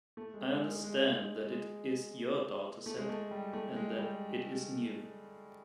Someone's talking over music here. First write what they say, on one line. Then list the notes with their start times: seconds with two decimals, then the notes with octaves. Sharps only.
I understand that it is your dataset, and that it is new.
0.17 A3
0.34 G#3
0.51 G#3
0.68 G#3
0.84 G#3
1.07 G#3
1.51 G#3
2.86 A3
2.97 G#3
3.09 A3
3.31 G3
3.53 A3
3.76 G#3
3.98 G3